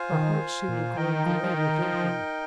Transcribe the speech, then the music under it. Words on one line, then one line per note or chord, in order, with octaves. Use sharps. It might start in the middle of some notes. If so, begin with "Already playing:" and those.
Her heart seemed to grow gray within her.
Already playing: F4 C5 F5 G#5
D#3
A#2
D#3 D#4 A#4 D#5 G5
F3
F3
D#3
F3